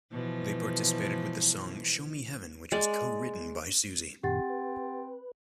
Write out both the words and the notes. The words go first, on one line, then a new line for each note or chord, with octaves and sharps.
They participated with the song "Show Me Heaven", which was co-written by Susie.
B2 E3 F3
G#3 D5
F#2 A#2 D#3 C4 G4 F#5 A6
B4